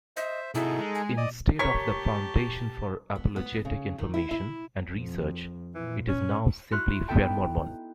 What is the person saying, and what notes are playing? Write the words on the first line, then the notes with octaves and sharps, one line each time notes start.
Instead of The Foundation for Apologetic Information and Research, it is now simply FairMormon.
C5 D#5 E5
C3 D#4 E4 F#4 G#4 A4
G#3
G#5
D5 D#5
G4 A#4 C#5 A5 C#6 B6
B3
B3
C#3
D#3
E4
E4
F2
A#2 E3
C#4
E4 F#4 C6 F6 F#6
B3 D#4 E4 A4 G5 A5